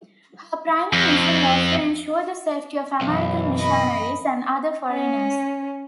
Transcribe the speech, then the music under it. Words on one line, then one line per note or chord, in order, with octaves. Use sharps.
Her primary mission was to ensure the safety of American missionaries and other foreigners.
F2
B1 F#2 E3
D#5 B5
C#4